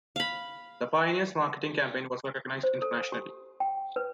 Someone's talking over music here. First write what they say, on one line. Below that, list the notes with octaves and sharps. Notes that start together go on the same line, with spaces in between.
The Pioneers marketing campaign was recognized internationally.
F5 B5
C5
A4
G4
G5
B4